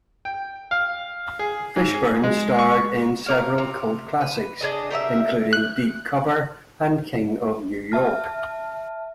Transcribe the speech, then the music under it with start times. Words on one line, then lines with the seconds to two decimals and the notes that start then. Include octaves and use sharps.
Fishburne starred in several cult classics, including "Deep Cover" and "King of New York".
0.25 G5
0.71 F5
1.39 G#4
1.76 G#2
1.94 G#4
2.24 G#3
2.59 C#6
3.26 A#4 D5 F5
3.58 C3
4.21 B4
4.61 D4 G#4 D#5
4.91 G4 A#4 D#5 E5
5.53 F#6
7.92 E5 A5 F6